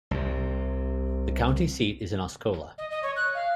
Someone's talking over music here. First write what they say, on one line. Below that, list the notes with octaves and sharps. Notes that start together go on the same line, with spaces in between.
The county seat is Osceola.
C2 C3
D#5
D#5
C#5
F#6
F5